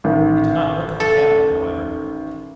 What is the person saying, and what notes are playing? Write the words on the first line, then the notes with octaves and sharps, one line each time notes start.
They did not look at the cabman, however.
A1 D#3
A4